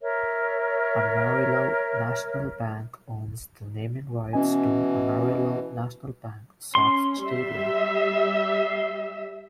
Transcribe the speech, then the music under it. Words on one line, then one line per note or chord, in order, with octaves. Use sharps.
Amarillo National Bank owns the naming rights to Amarillo National Bank Sox Stadium.
A#4 C#5 E5
B2 E3 C#4 D#5 G#5
C#4 C6
G3 E5